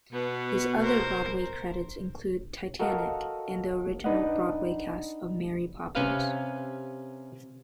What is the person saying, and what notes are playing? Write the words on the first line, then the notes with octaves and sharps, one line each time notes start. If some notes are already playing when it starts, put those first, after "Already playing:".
His other Broadway credits include "Titanic" and the original Broadway cast of "Mary Poppins".
B2 B3
A#4 C5
F#4 A4 A#4 D#5 F5 F#5
D4 D#4 B4 D#5 F#5
C3 C#4 B4 F5